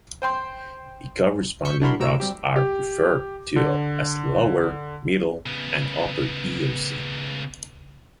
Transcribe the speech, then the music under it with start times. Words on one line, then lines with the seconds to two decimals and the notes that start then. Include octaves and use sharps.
The corresponding rocks are referred to as lower, middle, and upper Eocene.
0.22 C5 G5 C6
1.65 C#6 E6 G6 B6 C#7
1.81 D4 E4 F#4 A#4 B5 C6
2.00 D2 A2 F#4 A#5 E6 D7
2.20 G3 C4 G4
2.56 G4
3.56 D3
5.46 C#3 B3